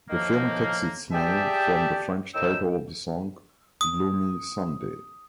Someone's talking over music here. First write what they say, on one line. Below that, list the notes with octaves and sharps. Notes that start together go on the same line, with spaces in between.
The film takes its name from the French title of the song "Gloomy Sunday".
A2 D#3 F3 A#3
G4 G#4 D5 E5 G5 A5
A2 D#3 E5 G5 E6
D#6